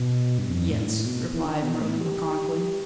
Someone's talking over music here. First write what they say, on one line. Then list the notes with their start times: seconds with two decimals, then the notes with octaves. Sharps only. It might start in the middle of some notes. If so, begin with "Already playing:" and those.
"Yes," replied Merlin laconically.
Already playing: B2
0.38 G2
0.50 F2
0.69 A2
0.81 G2
0.87 A2
1.06 B2
1.34 E3
1.43 D3
1.62 B2
1.81 A2
2.01 G3